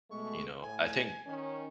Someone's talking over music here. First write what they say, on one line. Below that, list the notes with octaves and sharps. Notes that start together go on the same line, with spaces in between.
You know, I think,
B2 G#3 A3 C#6
A2 G#5
D#3 C#4